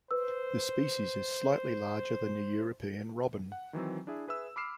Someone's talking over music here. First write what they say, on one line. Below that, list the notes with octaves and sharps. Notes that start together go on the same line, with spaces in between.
This species is slightly larger than the European robin.
B4 C5 E6
F#5
D#3 E3 F#3 C4
D4 E4 G#4 E5
G#4 B4 E5 E6
B5 D6 F6 C7 E7